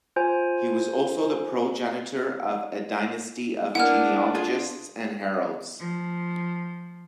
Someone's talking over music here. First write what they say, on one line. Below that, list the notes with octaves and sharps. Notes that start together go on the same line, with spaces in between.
He was also the progenitor of a dynasty of genealogists and heralds.
F4 C5 G#5
A#3 B3 D4 E4 F#5 F6
F4 G#4
F3